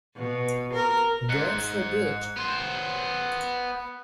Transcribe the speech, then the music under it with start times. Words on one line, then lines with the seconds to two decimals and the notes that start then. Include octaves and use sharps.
God forbid!
0.16 B2
0.73 A#4
1.29 G#2 F#6 C#7
2.37 B3 C5